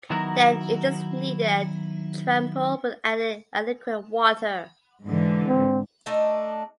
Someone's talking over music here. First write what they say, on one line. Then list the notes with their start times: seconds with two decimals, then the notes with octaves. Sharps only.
Then it is kneaded and trample with adding adequate water.
0.10 D#3 F#3 B3 E4 F#4 A#4
5.05 G#2 D3 E3
5.48 C4
6.06 A3 D4 D#4 D#5